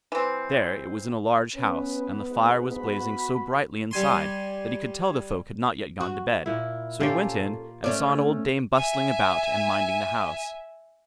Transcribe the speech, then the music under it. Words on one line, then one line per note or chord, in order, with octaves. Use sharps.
There it was in a large house, and the fire was blazing so brightly inside, that he could tell the folk had not yet gone to bed; so he went in and saw an old dame bustling about and minding the house.
E3 C4
B3 C#4 B4
G#2
F#4 B5
G3 G#5 C6
F#4
A#2 E4
A#3 C#4 F4 G4 A4
A3 C#4 D5
E5 G#5